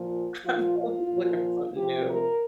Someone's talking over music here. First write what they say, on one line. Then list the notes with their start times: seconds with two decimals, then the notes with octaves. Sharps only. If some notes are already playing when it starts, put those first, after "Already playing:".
I'm always looking for something new.
Already playing: A#2 F3
0.44 A#2 F3 F4
0.77 F4
1.10 A#2 F3
1.76 C3 F3 G4
2.09 A#4